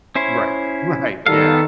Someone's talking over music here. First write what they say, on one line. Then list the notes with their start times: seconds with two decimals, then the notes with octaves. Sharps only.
Right, right, yeah.
0.15 C#4 E4 C5
1.26 D#3 G3 B3 A4 F5